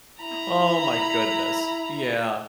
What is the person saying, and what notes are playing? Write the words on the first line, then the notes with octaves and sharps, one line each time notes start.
oh my goodness. Yeah.
E4 A#5 B5